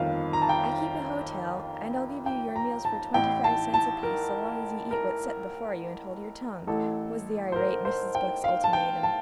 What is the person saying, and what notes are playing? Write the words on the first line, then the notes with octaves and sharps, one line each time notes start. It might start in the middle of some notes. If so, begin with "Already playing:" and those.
"I keep a hotel, and I'll give you your meals for twenty-five cents apiece so long as you eat what's set before you and hold your tongue," was the irate Mrs. Buck's ultimatum.
Already playing: G1 F2 D#3 F5
A#5
A5
G5
G5
A#5
A5
A1 A2 G5
A5
A5
A#4
A#4
A1 A2 A4
C5
A#4
C5
G5
F5
A5
G5
A5